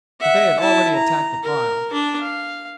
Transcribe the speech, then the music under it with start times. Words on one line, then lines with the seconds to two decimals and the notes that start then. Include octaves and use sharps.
But they had already attacked the pile.
0.20 E5 F#5
0.60 E4 A5
0.95 A#5
1.43 A#4
1.91 D4 A5
2.21 F5